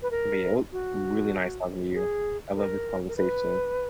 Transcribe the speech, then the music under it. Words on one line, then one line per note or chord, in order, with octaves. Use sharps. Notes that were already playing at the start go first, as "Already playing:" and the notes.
but, yeah, it was really nice talking to you. I love this conversation.
B4
A#4
F#4
G#4
A#4
A#4
B4